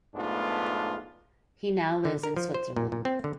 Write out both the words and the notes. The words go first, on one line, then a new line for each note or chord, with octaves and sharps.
He now lives in Switzerland.
B1 G#2 A3 B3 D4 F4
D3
A#4
F3
C5
A#2
A#2
C4
D3